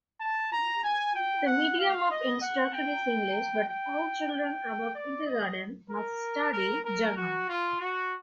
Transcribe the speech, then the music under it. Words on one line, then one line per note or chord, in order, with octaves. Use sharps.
The medium of instruction is English, but all children above Kindergarten must study German.
A5
A#5
G#5
G5
F#5
F5
D#5
F#5
G5
G5
G5
D5
D#5
A#4
A#4
A#4
F#4
F4
F#4